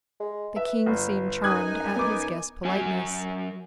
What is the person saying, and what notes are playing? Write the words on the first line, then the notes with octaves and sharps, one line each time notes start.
The king seemed charmed at his guest's politeness.
G#3
B4 E5
G1
F#2 D#4 G#5 D#6 F#6 G#6
B3 D6
F#2 F#3 G#5